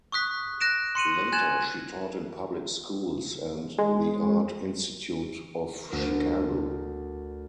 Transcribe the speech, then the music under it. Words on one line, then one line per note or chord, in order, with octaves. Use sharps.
Later, she taught in public schools and at the Art Institute of Chicago.
C#6 D#6 F#6 B6
F#6 A#6 D7 E7
C6 C#7 D#7 F#7
G#5 F#6 G#6 A6 E7 F#7
G#3
D2 A#4